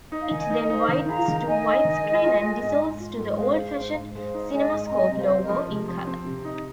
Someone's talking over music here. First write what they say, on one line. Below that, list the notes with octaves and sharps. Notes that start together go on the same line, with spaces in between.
It then widens to widescreen and dissolves to the old-fashioned CinemaScope logo, in color.
D#4
F5
D#3 D#5 G#5
D#4
D#5
D#4 C5 F5
D#3
G#4 F5 A#5
D#3
A#5
D#4 D#5 G#5
D#4
D#3
G#3
F4
G#3
G#2
G#2
F4
G#2
D#5
G#3 C5 F5
G#3
G#2
G#2
G#3 C5 F5
D#4
G#3 D#5 G#5
G#2
A#5
C4 D#5 G#5
C3
C5 F5
C4
A#4 D#5
F3
C3
F3
C4
C3
D#4